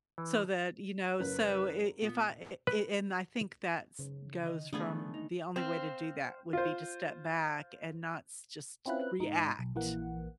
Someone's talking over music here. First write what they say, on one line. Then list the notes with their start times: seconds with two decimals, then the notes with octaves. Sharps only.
so that, you know, so i if I and I think that's goes from the only way to do that would be to step back and not st just react
0.18 E3
1.19 F#1 C#4 A#4 B4
2.02 A#2 B3
2.67 B4
3.99 C#3
4.42 D#3 D#5
4.73 D#3 F3 A3 B3 D4 G#4
5.14 D#4
5.56 C4 C5 F5
6.53 F4 C5
8.86 C4 C#4 E4 F4 B4 F#6
9.20 G#2 D#4
9.59 B1
9.75 A#1 E3 A#3 F#5